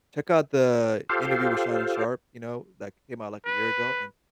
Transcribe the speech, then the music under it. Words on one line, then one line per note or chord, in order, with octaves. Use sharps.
check out the interview with Shannon Sharpe, you know, that came out, like, a year ago, and
F4 G4 A4 C5 F5
B4